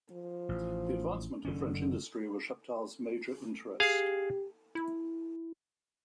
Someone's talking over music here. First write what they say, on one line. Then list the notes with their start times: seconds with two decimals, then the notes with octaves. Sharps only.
The advancement of French industry was Chaptal's major interest.
0.11 F3
0.49 A1
1.45 F#1 D3 D#3 C#4
3.80 G4 G#4 F5
4.75 E4